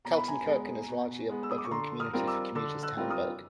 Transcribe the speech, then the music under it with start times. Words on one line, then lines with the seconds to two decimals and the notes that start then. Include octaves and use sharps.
Kaltenkirchen is largely a bedroom community for commuters to Hamburg.
0.05 B2 A#5
0.16 B5
0.28 G#5 A#5
0.46 G#3 B3
0.88 B2
1.29 G#3 B3
1.43 E6
1.51 D#6
1.58 D6
1.65 C#6
1.71 D3 A#5 C6
2.00 D#6 F6
2.13 G3 C4 F4 A#4
2.27 D6 E6
2.55 D3 D6 E6
2.83 E6 F#6
2.97 G3 C4 F4 A#4
3.10 D#6 F6